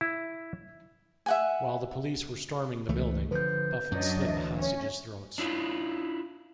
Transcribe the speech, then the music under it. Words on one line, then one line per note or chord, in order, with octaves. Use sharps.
While the police were storming the building, Buffet slit the hostages' throats.
E4
E5 F#5 G#5
C#2 E3 A3
D3 F3 B4 G6
F#2 F#3 D4 D#5
D2 E3 E5
C#4
D4 E4 F4